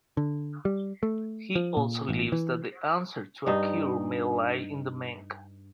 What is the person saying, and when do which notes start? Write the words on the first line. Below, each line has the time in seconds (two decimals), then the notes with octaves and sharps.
He also believes that the answer to a cure may lie in the Menk.
0.17 D3
0.65 G3
1.03 A3
1.56 F3
1.77 A#2
2.09 A1
2.32 E3
3.46 G2 D#4